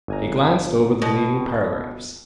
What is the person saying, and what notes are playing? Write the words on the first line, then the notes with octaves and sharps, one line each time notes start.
He glanced over the leading paragraphs.
G1 G#5 A#5
B2